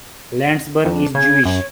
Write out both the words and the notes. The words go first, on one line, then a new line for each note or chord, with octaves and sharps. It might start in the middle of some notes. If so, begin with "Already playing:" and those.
Landsberg is Jewish.
F2 D4
C#3 G#6
F#2 C#5